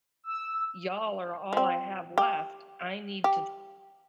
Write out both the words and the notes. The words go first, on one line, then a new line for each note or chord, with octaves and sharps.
y'all are all I have left. I need to
E6
F3 C4
G4
G4